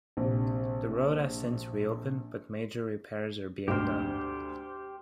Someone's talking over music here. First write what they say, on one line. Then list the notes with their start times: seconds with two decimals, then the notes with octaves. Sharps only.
The road has since reopened but major repairs are being done.
0.17 A#1 C3
3.68 D2 G#2 B2 D3 G4 C5 F6